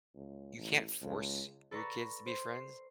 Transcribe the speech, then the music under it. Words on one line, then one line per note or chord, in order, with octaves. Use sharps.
you can't force your kids to be friends,
C#2
A1
C#2
A4 B4 D5 A#5 B5 C#6
C5
C7